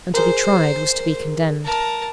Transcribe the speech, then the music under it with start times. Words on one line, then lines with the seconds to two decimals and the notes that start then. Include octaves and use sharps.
And to be tried was to be condemned.
0.14 G#4 A#4 C5
1.65 A#4 A5